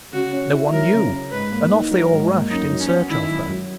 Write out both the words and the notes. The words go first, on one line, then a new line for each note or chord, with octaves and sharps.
No one knew, and off they all rushed in search of her.
C#3 F#4
C#4
E4
F#3 A#4
C#3
C#4
G#2 B4
A#3
D#4
F#3 A#4
G#2
A#3
F#2 D#4
F#3
C#4
B3
D#3 E4
F#2
F#3